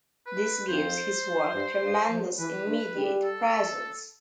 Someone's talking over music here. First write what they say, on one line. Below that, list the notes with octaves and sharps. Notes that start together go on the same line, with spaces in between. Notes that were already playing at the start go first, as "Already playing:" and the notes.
This gives his work tremendous immediate presence.
B4
F2 C5
G2
G2
F3
E3 B4
D3
G3
A4